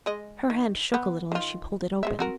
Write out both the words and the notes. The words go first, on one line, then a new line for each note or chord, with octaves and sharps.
Her hand shook a little as she pulled it open.
G#3 D#5
D#3
B3
D#3 F4
G#3 B3 E5
C4 F#4 A#4